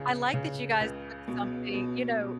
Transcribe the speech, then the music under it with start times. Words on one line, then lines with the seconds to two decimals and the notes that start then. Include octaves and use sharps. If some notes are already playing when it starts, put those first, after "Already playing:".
I like that you guys took something You know,
Already playing: C#2 C#3
0.34 C#3
0.80 C#2
1.28 B2
1.74 B2
2.21 B2